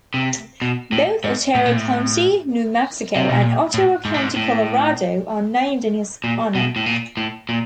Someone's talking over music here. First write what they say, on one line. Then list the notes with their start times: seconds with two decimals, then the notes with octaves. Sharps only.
Both Otero County, New Mexico and Otero County, Colorado are named in his honor.
0.14 C3
0.62 B2
0.92 A2
1.24 G#2
1.55 A2
1.66 A#2
1.76 A2
3.16 C3
3.29 B2
3.42 A#2
3.74 A2
4.05 G#2
4.14 A2
4.23 G#2
4.36 A2
6.24 A#2
6.55 B2
6.76 A2
6.86 A#2
7.17 A2
7.49 A#2